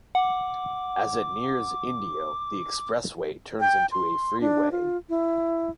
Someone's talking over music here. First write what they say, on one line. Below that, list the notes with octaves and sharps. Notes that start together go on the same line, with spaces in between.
As it nears Indio, the expressway turns into a freeway.
F#5 D6
G5
C6
D4
F4
E4